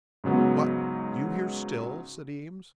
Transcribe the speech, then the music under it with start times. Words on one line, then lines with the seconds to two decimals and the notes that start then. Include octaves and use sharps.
"What! you here still?" said Eames.
0.24 G#2 C#3 F#3 B3